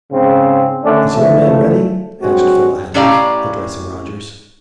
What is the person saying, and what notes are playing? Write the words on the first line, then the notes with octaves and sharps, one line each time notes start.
"Is your man ready?" asked Phil Adams, addressing Rodgers.
G#2 C#3 C4
D3 D#3 A3 C#4 D4
G#2 E3 F3 A3
G#1 G2 F#3 G#3 C4 F#4
A2 C#4 G4 D5 F5 A#5